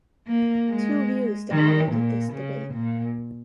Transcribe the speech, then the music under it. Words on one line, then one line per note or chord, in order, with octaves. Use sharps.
Two views dominated this debate.
A#3
G#3
D#3
A#2
C#3
A#2